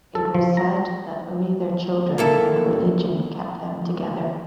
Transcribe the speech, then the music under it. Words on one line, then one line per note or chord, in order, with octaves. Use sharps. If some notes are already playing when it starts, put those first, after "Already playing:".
It was said that only their children and religion kept them together.
A4
F3
A#5
A#3 E4 A4